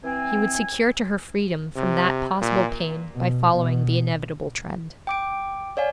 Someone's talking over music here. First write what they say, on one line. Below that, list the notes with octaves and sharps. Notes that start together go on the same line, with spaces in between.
He would secure to her freedom from that possible pain by following the inevitable trend.
E3 C4 G#5
C3
A#2
B2
B2
G5 D6 D7
C#5 D5 F5 G#5